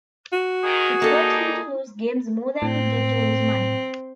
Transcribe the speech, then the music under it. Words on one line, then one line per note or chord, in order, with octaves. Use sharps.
It hurt him to lose games more than it did to lose money.
F#4
D#3 G#4
G3 A#3 D4 D#4 A4
A2 C4